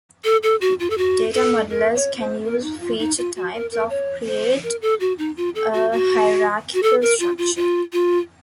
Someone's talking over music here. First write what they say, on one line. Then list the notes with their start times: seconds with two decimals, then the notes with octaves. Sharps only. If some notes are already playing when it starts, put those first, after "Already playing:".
Data modelers can use "feature types" to create a hierarchical structure.
0.24 A4
0.43 A4
0.61 F#4
0.80 F4
0.90 A4
0.98 F#4
1.34 A4
1.71 A#4
1.95 C#5
2.19 C5
2.44 A#4
2.62 D#4
2.81 F4
2.99 D#4
3.18 F4
3.36 F#4
3.54 A#4
3.72 A#4
3.90 C#5
4.27 C5
4.63 A#4
4.82 A4
5.00 F#4
5.18 D#4
5.37 F4
5.55 A4
5.74 F#4
5.92 F#4
6.74 F#4
6.83 A4
7.02 A#4
7.20 F4
7.38 F4
7.56 F4
7.93 F4